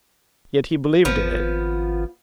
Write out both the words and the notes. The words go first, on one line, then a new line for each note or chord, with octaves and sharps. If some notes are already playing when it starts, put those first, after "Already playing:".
Yet he believed in it.
G#1 F3 B3